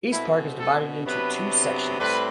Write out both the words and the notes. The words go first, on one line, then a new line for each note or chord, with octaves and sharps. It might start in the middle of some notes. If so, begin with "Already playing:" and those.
EastPark is divided into two sections.
B2 A3 C4 E4
A4
C3 F#3 B3 D4 B4
A2 G3 C4 B4